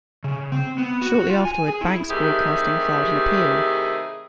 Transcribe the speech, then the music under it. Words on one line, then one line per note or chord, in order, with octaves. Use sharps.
Shortly afterward, Banks Broadcasting filed an appeal.
C#3
C4
B3
F#4
F#4
F4
G#5
G#4
E4
C3 D#3 A3 E4 G4 G#4